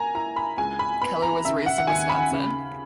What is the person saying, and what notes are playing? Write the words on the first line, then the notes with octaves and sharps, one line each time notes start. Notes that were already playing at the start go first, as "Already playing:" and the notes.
Keller was raised in Wisconsin.
Already playing: A#3 G#5 A#5
E4 A#5
B5
C#2 G#5
B5
B3 B5
A#5
C#3 E5
F#5
F#5
D#2 G#5
B5
C#3